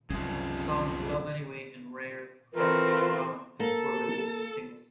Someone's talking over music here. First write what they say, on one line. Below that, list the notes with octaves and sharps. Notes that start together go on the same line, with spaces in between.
The songs "Love Anyway" and "Rare, Precious and Gone" were released as singles.
C2 F#2 C#3 F3
E3 A3 C4 F4 A#4 B4
A#3 A4